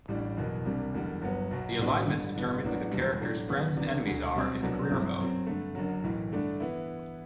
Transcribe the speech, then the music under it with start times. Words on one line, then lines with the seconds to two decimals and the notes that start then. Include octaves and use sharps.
The alignments determine who the character's friends and enemies are in the career mode.
0.08 A1 A2 G3 D4
0.37 F#1 E2 B2
0.65 C2 C3 G3 D4
0.93 F#1 E2 D3 G3
1.22 G1 G2 F#3 B3
1.51 B1 B2 F#3
1.78 A1 A2 G3 B3 D4
2.07 A1 G2 D3
2.35 A1 G2 E3 B3
2.63 A1 A2 F#3 B3 D4
2.92 E1 E2 B2 G3
3.20 A2 F#3 A3 D4
3.49 F#2 E3 B3
3.77 C2 C3 E3 B3 D4
4.05 E1 D2 D3
4.33 B1 B2 G3 C4
4.62 C2 B2 F#3 B3 D4
4.90 G1 G2 F#3 C4 E4
5.18 F#2 F#3 C4
5.46 G2 D3 A3
5.75 F#1 F#2 D3 F#3
6.03 B1 A2 E3
6.32 G2 D3 A3 D4
6.60 E3 B3 E4